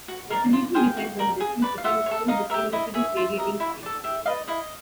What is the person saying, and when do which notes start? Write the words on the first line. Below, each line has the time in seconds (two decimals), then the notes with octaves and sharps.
Resolution depends on the distance between two distinguishable radiating points.
0.08 F#4
0.30 A#4 D5
0.53 F4
0.74 G#4 C5 F5 G5
0.97 F#4
1.19 A#4 D5
1.40 G#4
1.62 B4 D5
1.78 F5
1.84 F4 E5 F#5
2.06 C#5
2.11 A4
2.28 D#4 D#5 F5
2.50 G4 A#4 E5
2.72 E4 D#5
2.94 G#4 C#5 E5
3.17 F4
3.38 A#4 D#5
3.60 E4
3.83 A4 D5
4.04 G4 E5
4.26 B4 D5 D#5 F5
4.48 E4 D#5 F5